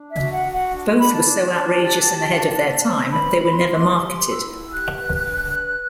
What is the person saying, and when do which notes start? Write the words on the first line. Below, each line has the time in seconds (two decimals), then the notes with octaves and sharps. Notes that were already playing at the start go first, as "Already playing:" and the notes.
Both were so outrageous and ahead of their time, they were never marketed.
Already playing: D4
0.11 E5
0.18 F#4
0.31 F#5
0.45 F#4
0.51 F#5
0.71 D4
0.98 D4 B5
1.12 A5
1.25 D4
1.51 D4
1.78 G4
2.04 G4
2.31 D4
2.58 D4
2.85 C5
3.12 B4 B5
3.38 E4
3.51 C6
3.65 E4
3.91 G4 C6
4.18 B4
4.32 E6
4.45 E4
4.72 G4 F#6
4.98 B4
5.25 D4
5.52 B4